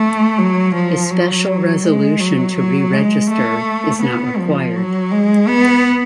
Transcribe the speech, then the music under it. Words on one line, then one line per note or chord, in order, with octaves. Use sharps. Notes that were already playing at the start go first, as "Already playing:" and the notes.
A special resolution to re-register is not required.
Already playing: A3
F#3
F3
F#3
G#3
F#3
F#3
G#3
A3
B3
F3
F#3
G#3
B3